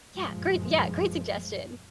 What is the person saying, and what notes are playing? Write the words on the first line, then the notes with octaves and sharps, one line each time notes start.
Yeah, great yeah, great suggestion.
F#1 G2 A#2 F3 G#3